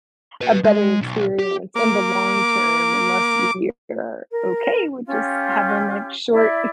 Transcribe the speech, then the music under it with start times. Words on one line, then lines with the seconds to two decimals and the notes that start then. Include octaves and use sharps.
a better experience in the long term unless we are okay with just having, like, short
0.41 B4 D#5
0.64 G#3
1.01 B1
1.39 G4
1.75 A#3 D6
4.32 A#4
5.06 C#4 F4 G4
6.31 E4 D5 E5